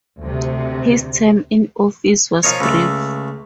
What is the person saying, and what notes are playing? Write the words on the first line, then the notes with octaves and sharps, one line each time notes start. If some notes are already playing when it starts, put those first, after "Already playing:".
His term in office was brief.
D2 C3
F3 D#4 A#4 C#5
C#2 A3